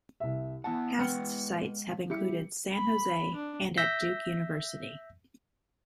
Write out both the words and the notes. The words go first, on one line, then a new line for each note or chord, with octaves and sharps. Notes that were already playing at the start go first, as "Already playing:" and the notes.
Past sites have included San Jose and at Duke University.
C2 E5
B3 E4 F#5 A5
G#3 B3 F#5 G5 F6 C#7
G3 E4 G4 C#7
B5
D4
E5 E6 G6 A#6 B6